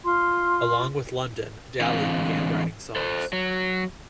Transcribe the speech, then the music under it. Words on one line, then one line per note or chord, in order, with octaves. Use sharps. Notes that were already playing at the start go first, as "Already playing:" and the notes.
Along with Lundon, Daly began writing songs.
F4 C6
D3 E3 G#3 C4 F5
A4 C5
F#3